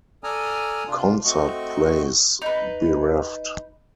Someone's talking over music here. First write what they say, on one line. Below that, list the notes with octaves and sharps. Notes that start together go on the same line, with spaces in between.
Concert place: Bereft.
A4 D5 G#5 A#5 D#6 F6
C3 D4 F4
A3 C4 F#4 D#5 C#6
D#4 B4